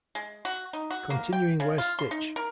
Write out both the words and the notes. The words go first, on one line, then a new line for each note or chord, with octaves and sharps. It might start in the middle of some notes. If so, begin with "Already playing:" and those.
Continuing where Stitch!
G#3
F#4
D#4
F#4
A#3
G5
C#3
F4
C6
D#4
A#4